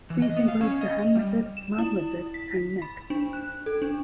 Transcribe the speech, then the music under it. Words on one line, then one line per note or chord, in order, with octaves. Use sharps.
These include the hand method, mouth method and neck.
E3
D#5
B3
F5
C#4
D#5
G3
E7
E4
B6
B5
D4
F#6
A4
D4